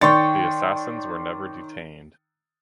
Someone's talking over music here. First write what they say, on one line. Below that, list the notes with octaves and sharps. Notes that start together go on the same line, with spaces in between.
The assassins were never detained.
D#3 C#5 D5 G5 C6 C#6 A6